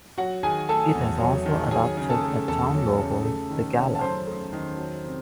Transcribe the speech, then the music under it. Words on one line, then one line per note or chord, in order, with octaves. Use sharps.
It has also adopted a town logo, the galah.
F#3 F#4 F#5
D#3 G#4 G#5
A3 A4 A5
E2
F#3
D#3
F#3 G#4 G#5
C#3
A4 A5
A3
E2 A4 A5
F#3
C#3
A3
D#3
C#4
A5
F#2 C5 C6
A3
D#3
F#3
C3